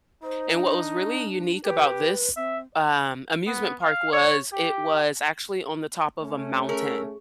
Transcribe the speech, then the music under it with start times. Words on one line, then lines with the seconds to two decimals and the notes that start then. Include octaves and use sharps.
and what was really unique about this, um, amusement park was, it was actually on the top of a mountain.
0.23 D#4 C5
0.54 D4
1.65 G4 B4
2.36 C4 E5
3.47 B3
3.82 F5
4.12 C#5
4.53 G4
6.22 A3 C#4
6.69 G#4 A#4 E5